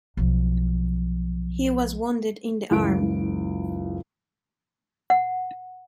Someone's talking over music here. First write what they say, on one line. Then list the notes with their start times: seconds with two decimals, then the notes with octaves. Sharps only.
He was wounded in the arm.
0.17 B1 F3
2.71 F#1 C#2 E3 D7
5.10 F#5